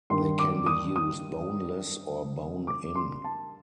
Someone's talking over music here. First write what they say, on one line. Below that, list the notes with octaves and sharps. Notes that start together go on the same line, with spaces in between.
They can be used boneless or bone-in.
G2 D#3 C6
D6
D#6
D#6
D6
C6
A5